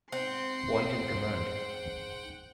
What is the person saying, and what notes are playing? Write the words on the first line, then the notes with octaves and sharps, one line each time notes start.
White in command.
G#2 C4 C5 F#5 G5 C6